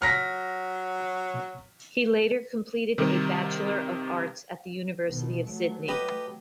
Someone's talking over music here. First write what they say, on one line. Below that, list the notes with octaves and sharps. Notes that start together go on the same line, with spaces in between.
He later completed a Bachelor of Arts at The University of Sydney.
F#3 F6 A#6 B6
C3 D#3 G3
A1 B2 D#3
F#3 A3
G4 B4 D#5